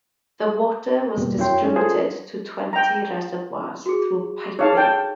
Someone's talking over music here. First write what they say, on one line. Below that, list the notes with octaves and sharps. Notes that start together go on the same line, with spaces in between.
The water was distributed to twenty reservoirs through piping.
E2 G2 B2 G3 A#3
F#2 E4 F#4 C#5 G5 C6
G3 C#4 D#4 G#4
D4 F4 G#4 A4 C5
G5 A#5
F#4 G#4
D#4 G#4 C#5 F5 A5
G5 A5